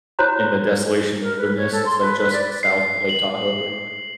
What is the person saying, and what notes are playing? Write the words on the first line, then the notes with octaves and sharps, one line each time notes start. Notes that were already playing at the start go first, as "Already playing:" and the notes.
in the desolation wilderness. It's, like, just South Lake Tahoe, pretty much.
E4 F#4 C5 C#5 A#5 B5
A#4
B4
C#5
A4
C6
B4
B4
D5
C7
F#7